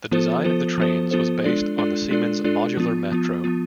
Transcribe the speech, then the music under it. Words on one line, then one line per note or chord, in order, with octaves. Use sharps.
The design of the trains was based on the Siemens Modular Metro.
F3 B3 F4 A4 C5
F3 B3 F4 A4 C5
F3 B3 F4 A4 C5
F3 B3 F4 A4 C5
G#3 D4 F4 A4 D5
G#3 D4 F4 A4 D5
G#3 D4 F4 A4 D5
G#3 D4 F4 A4 D5
F3 B3 F4
F3 B3 F4
F3 B3 F4